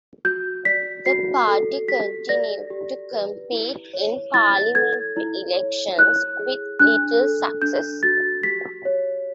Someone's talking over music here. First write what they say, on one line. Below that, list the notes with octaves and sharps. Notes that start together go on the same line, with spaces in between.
The party continued to compete in parliamentary elections, with little success.
F#4 G6
D5 B6
F#4 C7
A4
G4 B6
D5 A#6
G4
B4
E4
C#5
E4 A6
A4 G#6
E4
C#5
E4 F#6
G#4
D4 F#6
A4
D4 G6
F#4 A6
G4 B6
C#5